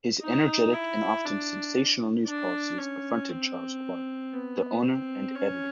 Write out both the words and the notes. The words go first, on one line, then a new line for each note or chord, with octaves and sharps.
His energetic and often sensational news policies affronted Charles Clark, the owner and editor.
D#4
E4
D4
D4
C#4
C4
B3
C4
C#4